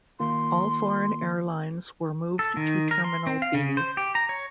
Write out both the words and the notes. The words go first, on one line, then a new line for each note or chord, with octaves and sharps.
All foreign airlines were moved to Terminal B.
D#3 A#3 F4 C6
A4
D#3
A#4
C6
C4
F5
C#3
C5
G4
A#5
C#5